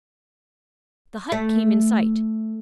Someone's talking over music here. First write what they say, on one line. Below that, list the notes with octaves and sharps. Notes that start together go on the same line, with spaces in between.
The hut came in sight.
A3